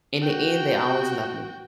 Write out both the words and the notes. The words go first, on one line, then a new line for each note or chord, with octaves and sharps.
in the end, they always love me.
F#4 G5